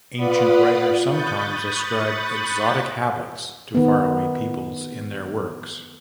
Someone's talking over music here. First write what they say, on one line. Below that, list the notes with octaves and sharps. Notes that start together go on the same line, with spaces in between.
Ancient writers sometimes ascribed exotic habits to far-away peoples in their works.
F4 B4 D5 F#5 B5 D#6
B5 C#6 D#6 F#6 G6 A6
D#3 B3